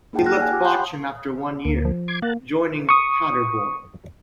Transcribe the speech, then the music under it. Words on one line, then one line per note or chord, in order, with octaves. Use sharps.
He left Bochum after one year, joining Paderborn.
A#3 D#4 G#4 F#5 G5 A5
F6 F#6 A#6
F#5 G#5 F#6
F4 G4 D6
F#5 G5 B5 C6 F#6 G6
D2 A#3
F3
C6 D6 G#6
A#3 A#4 F#5 A5
C#6 D#6